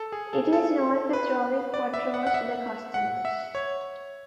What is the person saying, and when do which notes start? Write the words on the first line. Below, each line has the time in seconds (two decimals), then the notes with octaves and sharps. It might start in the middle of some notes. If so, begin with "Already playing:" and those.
It is known for throwing hot rolls to the customers.
Already playing: A4
0.12 G#4
0.33 A4
0.53 A4
1.13 B4
1.74 D5
1.94 E5
2.14 F#5
2.27 F#5
2.34 E5
2.94 F#5
3.25 E5
3.55 C#5